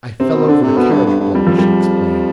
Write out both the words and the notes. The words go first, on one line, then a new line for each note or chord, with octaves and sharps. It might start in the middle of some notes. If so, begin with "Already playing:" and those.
"I fell over the carriage block," she explained.
C3 C4
B2
D3 D4
C3
A3
B2 B3
G2
G2
G2
F2 G3
F3
G3